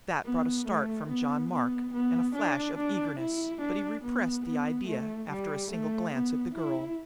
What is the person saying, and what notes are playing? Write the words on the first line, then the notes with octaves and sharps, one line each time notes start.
That brought a start from John Mark and a flash of eagerness, but he repressed the idea, after a single glance at the girl.
B3
A3
B3
B3
B3
D4
D4
E4
D4
B3
B3
A3
G3
A3
B3
E4